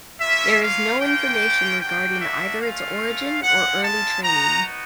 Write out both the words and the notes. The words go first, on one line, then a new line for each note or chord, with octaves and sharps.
There is no information regarding either its origin or early training.
A#3 C#4 F4 E5
F5
A#3 C#4 F4 G5
A#3 D4 F#4 G5
E5
A3 C#4 F4 F5
G#3 C#4 F4 F#5
A5
B3 D#4 F#4 A#5